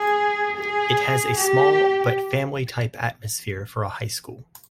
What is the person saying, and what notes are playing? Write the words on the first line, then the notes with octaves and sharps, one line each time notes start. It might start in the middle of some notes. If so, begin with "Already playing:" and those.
It has a small, but family type atmosphere for a high school.
Already playing: G#4
G#4
G4